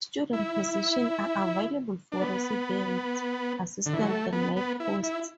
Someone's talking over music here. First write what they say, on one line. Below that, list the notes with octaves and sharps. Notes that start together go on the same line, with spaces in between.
Student positions are available for Resident Assistants and Night Hosts.
E4
D4
B3
D3
E3
F#3
A3
B3
B3
E4
E4